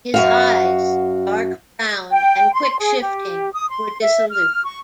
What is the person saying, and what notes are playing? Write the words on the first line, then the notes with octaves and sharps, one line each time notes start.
His eyes, dark brown and quick-shifting, were dissolute.
F#2 F#4 F5
G5
C6
G#4
G4
D#6
C6
E5
F6
C#6